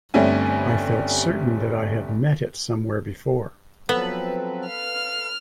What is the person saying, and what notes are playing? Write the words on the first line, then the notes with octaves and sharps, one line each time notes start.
I felt certain that I had met it somewhere before.
G1 G3 A3 C4 C#4 G#5
F3 F#3 B3 C4 A4 B4
F5 F6